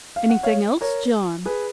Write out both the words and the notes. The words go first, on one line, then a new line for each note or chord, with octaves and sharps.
"Anything else, John?"
F5
F#5
C#5 F5
A#4 C#5
G#4 B4